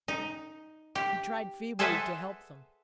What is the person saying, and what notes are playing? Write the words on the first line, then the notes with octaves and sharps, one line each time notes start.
He tried feebly to help them.
D#4
G4
G#4 A4 B4 C5 E5 F#5